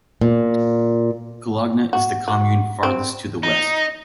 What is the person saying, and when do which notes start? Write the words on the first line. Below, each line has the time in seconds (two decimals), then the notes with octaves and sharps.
Collagna is the commune farthest to the West.
0.21 A#2
1.93 F#4
2.28 F#4
2.83 C4
3.43 D#4